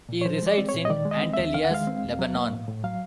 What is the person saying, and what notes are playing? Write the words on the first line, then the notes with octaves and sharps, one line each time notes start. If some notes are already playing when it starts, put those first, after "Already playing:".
He resides in Antelias, Lebanon.
A#2
C#5
F3 C5
G#3 D5
C4
C#5
A#2
D#5
D#3 D5
G#3
D#5
C4
D#2 E5
D#3 F5
F#5
G#3 F5
C4
D#2
F#3
A#3
A2
A2
F#3 F5